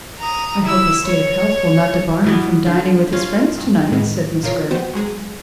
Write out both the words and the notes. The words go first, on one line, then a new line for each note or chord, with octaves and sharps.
"I hope his state of health will not debar him from dining with his friends to-night," said Miss Grey.
A#5 D#6
E4 E6
C#5
B2 E3 B3
D3
C#4 F4
G2
A2 D#3 G#3 B3
A#2 F3 F4 A#4 C#5 C7
B3 F#4 C5 G5
F#3 G#3 G#4